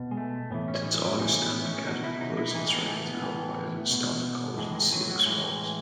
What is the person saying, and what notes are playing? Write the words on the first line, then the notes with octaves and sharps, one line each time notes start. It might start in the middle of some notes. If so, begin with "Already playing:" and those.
Since Augustana Academy closed, its records are held by Augustana College in Sioux Falls.
Already playing: B2
G#3
A3
A2 E3 B3
C#4
D#4
E4
A2 E3 D#4
B3
C#4
B2 D#4
E4
D#4
E4
A2 E3 D#4
B3
G#3
A3
B3
A2 E3
B2
A2 E3 G#3
G#3
F#3
F#3
A2 E3 G#3